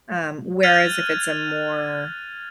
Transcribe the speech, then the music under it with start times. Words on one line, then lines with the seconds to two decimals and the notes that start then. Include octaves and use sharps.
um, whereas if it's a more,
0.63 F6 F#6 G#6 A6 D#7 F7